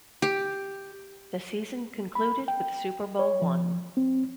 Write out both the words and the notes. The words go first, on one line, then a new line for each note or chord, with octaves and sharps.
The season concluded with Super Bowl One.
G4
B5
G5
C#5
F3
C4